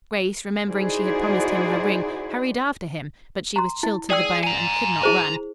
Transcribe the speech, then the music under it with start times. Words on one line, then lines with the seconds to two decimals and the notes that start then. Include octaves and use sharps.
Grace, remembering she had promised him her ring, hurried after him, but she was chilled to the bone and could not run.
0.69 D#4 E4 F#4 G#4 C5 D5
3.56 A#5 C6
3.83 E4
4.10 G#4 D5 G5 E6
4.44 G#5 A#5
5.03 E4 G#4 C5